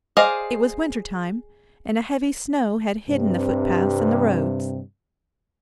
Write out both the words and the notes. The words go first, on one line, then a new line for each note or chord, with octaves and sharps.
It was winter time, and a heavy snow had hidden the foot-paths and the roads.
G#4 C5 D5 D#5 F5
G2 C3